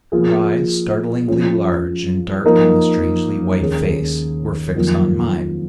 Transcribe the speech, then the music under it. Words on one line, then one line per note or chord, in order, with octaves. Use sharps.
Her eyes, startlingly large and dark in the strangely white face, were fixed on mine.
F3 A#3 F4 G#4
F3 G#3 C#4 F4
F3 A#3 D#4 A#4
D#2 D#3 G#3 C#4 G#4
F2 D#3 F#3 A#3 F4